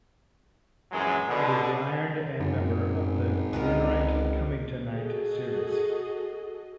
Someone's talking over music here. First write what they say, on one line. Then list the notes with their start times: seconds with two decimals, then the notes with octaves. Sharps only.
It is the iron endmember of the grunerite-cummingtonite series.
0.92 A#1 F#2 E3 F#3 G#3
1.28 B2 D3
2.40 G#1 F#2
3.53 C#2 B3 D#4 A#4
4.88 F#4 G#4 A4 D#5